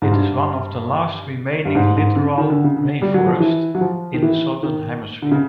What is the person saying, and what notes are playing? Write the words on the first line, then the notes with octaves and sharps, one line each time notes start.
It is one of the last remaining littoral rainforests in the Southern Hemisphere.
G#2
G2
G2
G#2
G#2
C#3
D#3
D3
C#3
D3
G3
F#3
F3
E3
F#3
F3
D#3
E3
D#3
D3
C#3